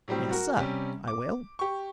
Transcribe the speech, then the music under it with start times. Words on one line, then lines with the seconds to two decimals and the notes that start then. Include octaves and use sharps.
"Yes, sir, I will."
0.08 A2 F#3 G3 C4
0.31 F#4 A#4
0.57 C3 G3 C#4
1.08 D6
1.59 G4 C#6